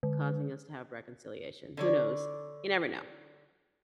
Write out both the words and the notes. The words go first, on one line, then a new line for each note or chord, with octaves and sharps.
causing us to have reconciliation, who knows? You never know.
D3
D3 C#5 D5